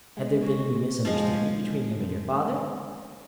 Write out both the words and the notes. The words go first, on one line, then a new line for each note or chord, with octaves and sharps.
"Had there been any misunderstanding between him and your father?"
G#3
F#4
F3 G#3